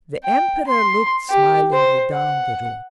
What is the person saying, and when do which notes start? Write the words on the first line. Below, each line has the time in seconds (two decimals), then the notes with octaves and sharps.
The Emperor looked smilingly down the room.
0.24 G5
0.67 C6
1.30 G4
1.73 C5
2.12 F#5